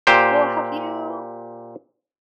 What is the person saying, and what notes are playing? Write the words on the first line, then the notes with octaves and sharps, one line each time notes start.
Well, have you
A#2 G4 C5